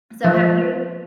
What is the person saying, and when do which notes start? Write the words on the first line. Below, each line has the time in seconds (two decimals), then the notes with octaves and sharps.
So have you
0.24 F3